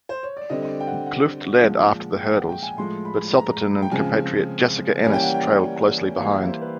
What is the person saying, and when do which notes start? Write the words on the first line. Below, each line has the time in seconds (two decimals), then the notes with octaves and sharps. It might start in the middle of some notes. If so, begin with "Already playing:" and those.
Klüft led after the hurdles, but Sotherton and compatriot Jessica Ennis trailed closely behind.
0.09 C5
0.23 C#5
0.37 D5
0.50 D3 G3 C4 D#5
0.62 D#5
0.68 D5
0.80 G5
0.87 F#5
1.06 F#5
1.63 A#2 F3 G#3
2.21 G5
2.35 F#5
2.49 G5
2.63 G#5
2.77 A2 F3 G#3 C6
3.05 B5
3.34 A#5
3.82 G5
3.91 C#3 F3 G#3 C4 G#5
5.04 E3 G3 A#3 C#4 G#5
5.14 G5
5.23 F#5
5.34 G5
6.18 E3 G3 A#3 F5
6.32 E5
6.47 C5
6.61 B4